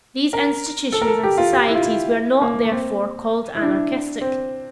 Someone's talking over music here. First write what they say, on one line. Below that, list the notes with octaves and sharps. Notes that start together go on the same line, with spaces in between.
These institutions and societies were not, therefore, called anarchistic.
A#4
A4
A#4
A4
G4
F4
G4
E4
F4
E4
A#3
A#3
C4
E4
D4
C4